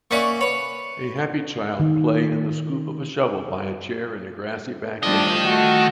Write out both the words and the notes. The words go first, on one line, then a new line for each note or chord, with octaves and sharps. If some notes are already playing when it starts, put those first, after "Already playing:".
A happy child play in the scoop of a shovel by a chair in a grassy backyard.
A#3 C#4 D5 E5 F#5 C#6
B4 C#5
D#3
D#3 F3 G3 A3 D4 D#5
A3 F#4 A4